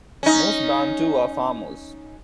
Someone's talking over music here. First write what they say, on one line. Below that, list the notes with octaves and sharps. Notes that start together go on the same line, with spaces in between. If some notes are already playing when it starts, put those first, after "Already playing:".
Most Bantu are farmers.
C#4 D#4